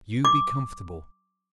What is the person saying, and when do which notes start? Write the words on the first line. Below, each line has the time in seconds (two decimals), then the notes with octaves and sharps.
You be comfortable.
0.25 D6